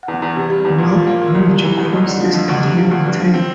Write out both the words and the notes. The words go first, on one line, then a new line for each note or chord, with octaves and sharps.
Wark Bridge crosses the River Tyne.
E2
E2
C3
G3
E2
A#2
F3
A#3
A#2
C2
C3
E3
C2
F2
D3
F3
F2
D2
C3
F3
D2
G2
F3
C4